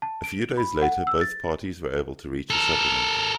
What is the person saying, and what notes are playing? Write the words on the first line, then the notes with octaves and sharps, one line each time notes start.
A few days later both parties were able to reach a settlement.
A5
D7
B5
F#5
E6
A6
A4 A#4